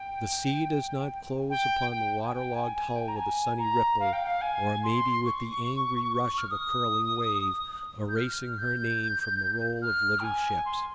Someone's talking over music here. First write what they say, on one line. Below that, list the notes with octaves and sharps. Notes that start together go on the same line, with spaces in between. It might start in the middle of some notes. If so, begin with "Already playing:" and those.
The sea does not close upon the water-logged hull with a sunny ripple, or maybe with the angry rush of a curling wave, erasing her name from the roll of living ships.
Already playing: G5
G5
G5
G#5
G5
G#5
G#5
G5
A#5
G#5
A#5
F5
G5
F5
G#5
C6
C#6
F6
D#6
G6
F6
G6
F6
G5
G#5
C6